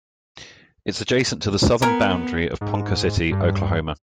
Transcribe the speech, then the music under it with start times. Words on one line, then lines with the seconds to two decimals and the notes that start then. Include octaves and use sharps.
It is adjacent to the southern boundary of Ponca City, Oklahoma.
1.82 B3 A#4 G#5
2.61 G#2
3.31 G2